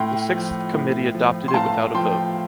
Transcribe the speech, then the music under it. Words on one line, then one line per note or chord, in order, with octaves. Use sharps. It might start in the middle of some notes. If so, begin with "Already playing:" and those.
The Sixth Committee adopted it without a vote.
Already playing: A2 G5 C6
F3
A2
F3
C6
A2 F5 A5
F3 G5 C6